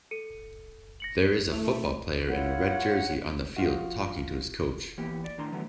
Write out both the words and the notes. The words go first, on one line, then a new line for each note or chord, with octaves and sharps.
There is a football player in a red jersey on the field talking to his coach.
A4 C#7 D#7
A#6 C#7 F#7
A3 E4 F7
E4 F4 C#5 F#5
F3 F4 F#4
E3 A#3 B3 G4
D5
A2 D#3 D4 A#5 C6
D3 E3 F#3 A3 B3